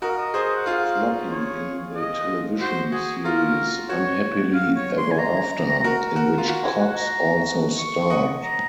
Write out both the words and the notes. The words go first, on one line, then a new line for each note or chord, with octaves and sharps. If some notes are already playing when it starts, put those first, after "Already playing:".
Floppy in the television series "Unhappily Ever After" in which Cox also starred.
F#4 A#4 D#5
F5
D#5
G#4 C5
F#5
F4 G#4 F5
C#5
D#5
F#4 C5
F#4 G#4
F4 A#4
F#4 C#5
F5
C#5
C6
G#5
A#5
F#4 A#4
F#4 A#4
F4
F#4
G#5
F#5
A#5
C#6
D#5 F#5
A#5